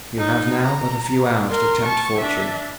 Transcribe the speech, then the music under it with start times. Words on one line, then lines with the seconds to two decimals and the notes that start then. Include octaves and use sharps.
You have now but a few hours to tempt fortune.
0.18 D#4
0.62 A#5
1.49 A#4 C6
1.83 A5 C#6
2.16 D4 E5